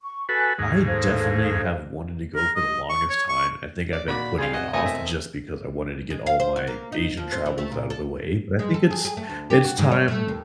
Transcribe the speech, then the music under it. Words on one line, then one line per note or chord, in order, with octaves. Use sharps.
I definitely have wanted to go for the longest time. I think I've been putting it off just because I wanted to get all my Asian travels out of the way, but I think it's it's time
C#6
F#4 A4 B4 G#5
D#2 G#2
A4 C5 F5
A#4
D#5
C#6
C#5
C#6
D5
A#2 D#3 F#4 D5 B5
G3 G#3 C4 G#4 F5
C3 F#4 D#5 G#5
E1 A3 C4 C#5 D#5 G#5
E5
G#3
F5
C5
F#4
A#3
D#4
F3
C4
E3
A3
A#2
A4
G#3
A4
G#4
G#4
A3
D2
G4
F#4
G#2
C#5
A3
D#2